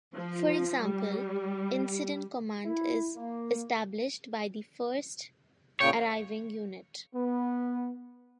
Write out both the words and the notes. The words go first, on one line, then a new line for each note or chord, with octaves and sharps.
For example, Incident Command is established by the first arriving unit.
F3
G3
E4
A#3
A#2 C#3 C#5 G5
B3